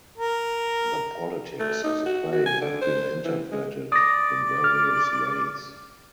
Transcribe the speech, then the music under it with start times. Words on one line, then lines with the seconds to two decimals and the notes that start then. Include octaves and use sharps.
The politics of the play have been interpreted in various ways.
0.18 A#4
1.60 A3
1.84 D#4
2.06 F#4
2.32 F#4
2.46 G#5
2.61 D3
2.81 C5
3.24 E3
3.52 G#3
3.92 D5 D#6 A#6
4.64 F6